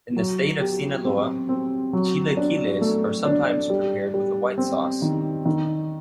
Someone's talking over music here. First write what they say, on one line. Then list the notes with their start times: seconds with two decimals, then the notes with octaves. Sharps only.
In the state of Sinaloa, chilaquiles are sometimes prepared with a white sauce.
0.16 F#3
0.60 G4
1.05 C4
1.49 C4
1.93 F#3
2.37 D4
2.81 A3
3.25 D4
3.70 G3
4.14 G3
4.58 C4
5.02 D#3
5.45 D#3